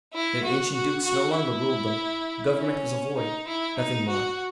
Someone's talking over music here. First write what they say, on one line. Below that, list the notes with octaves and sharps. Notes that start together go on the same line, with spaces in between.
Their ancient dukes no longer ruled them; government was a void--nothing more.
E4
F#4
F#4
F#4
E4
C#4
D#4
E4
D#4
F#4